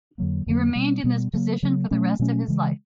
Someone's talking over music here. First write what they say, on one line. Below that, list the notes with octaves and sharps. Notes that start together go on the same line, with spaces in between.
He remained in this position for the rest of his life.
F2 D3 F#3 A#3
F2 D3 F#3 A#3
B2 G3 B3
B2 G3 B3
C#3 F#3 A#3
C#3 F#3 A#3
B2 F#3 A3 C#4
B2 F#3 A3 C#4
C#3 E3 G#3